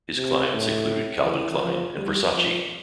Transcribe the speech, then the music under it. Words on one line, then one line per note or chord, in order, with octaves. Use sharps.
His clients included Calvin Klein and Versace.
C3
A2
E3
F3
G3
F3